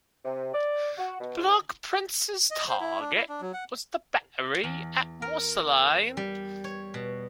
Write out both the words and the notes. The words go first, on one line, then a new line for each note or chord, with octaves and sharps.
"Black Prince"s target was the battery at Morsalines.
C3
D5
F#4
B2
G#2
D#5
C5
E4
D4
E4
D4
F#3
F#5
E2
A#4
G3
C#5
B2